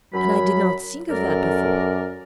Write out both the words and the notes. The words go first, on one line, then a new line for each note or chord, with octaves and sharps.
And I did not think of that before!
F#2 F#3 B5
F#2 A4 A#4 D5